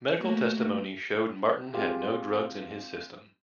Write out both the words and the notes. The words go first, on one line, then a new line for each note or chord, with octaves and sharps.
Medical testimony showed Martin had no drugs in his system.
A3 A#3 F#4
G#3 C4 F4 G4